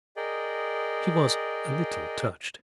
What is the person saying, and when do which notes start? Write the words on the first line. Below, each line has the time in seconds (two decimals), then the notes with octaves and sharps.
She was a little touched.
0.17 G#4 A#4 D5 D#5 G5